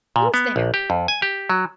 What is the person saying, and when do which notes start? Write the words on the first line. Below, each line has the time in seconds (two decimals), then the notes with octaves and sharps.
Who's there!
0.16 A#2
0.34 B3
0.56 A#1
0.74 G4
0.90 F2
1.08 G#5
1.22 G4
1.50 F#3